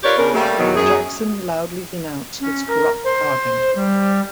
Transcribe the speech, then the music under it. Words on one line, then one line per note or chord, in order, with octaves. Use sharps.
Jackson loudly denounced this corrupt bargain.
F4 G4 A#4 B4 C#5 D5
C#3 B3 C#4 D4 A#4
G3 A3 A#3
E2 B2 D#3 F#3
F#2 G#4
C#4
A#4
C5
G3